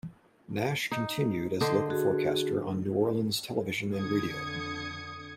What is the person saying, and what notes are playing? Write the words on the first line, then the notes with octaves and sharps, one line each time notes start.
Nash continued as a local forecaster on New Orleans television and radio.
D#4
D3 C5 D#5
F#4 G#4
F2 D3 D#6 G#6 C#7